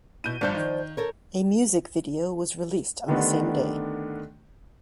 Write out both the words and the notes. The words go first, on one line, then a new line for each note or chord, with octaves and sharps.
A music video was released on the same day.
B2 E4 G6 D#7
G1 G2 F3 C5 D5 G6
D#3
A4 A#4 C#5
D3 D#3 A3 B3 D4 G4